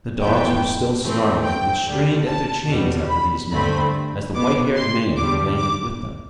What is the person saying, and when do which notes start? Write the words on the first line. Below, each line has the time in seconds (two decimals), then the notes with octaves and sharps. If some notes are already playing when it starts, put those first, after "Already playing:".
The dogs were still snarling, and strained at their chains after these men, as the white-haired man landed with them.
0.20 F2 E3 B3 G5
1.03 A2 E3 A3 C4
1.44 G5
1.85 D2 D3 G3
2.27 A5
2.68 E2 B2 G3
3.09 B5
3.51 G2 D3 A3 C4 B5
4.34 B2 B3 D6
4.75 C6
5.16 E2 D3 G3 D6
5.59 D6